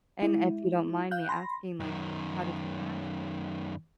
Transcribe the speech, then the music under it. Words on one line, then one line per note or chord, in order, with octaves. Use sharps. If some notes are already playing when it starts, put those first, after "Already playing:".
And if you don't mind me asking, like, how did he pass?
G#3 E4
F5 F#6 G6
B5 C6 A#6
F#2 D#3